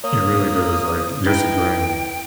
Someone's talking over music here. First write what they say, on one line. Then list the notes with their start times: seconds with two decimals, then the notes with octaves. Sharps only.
It really does, like, just grinding.
0.04 A#3 C#5 D#6
1.26 D#4 E4 B4 G5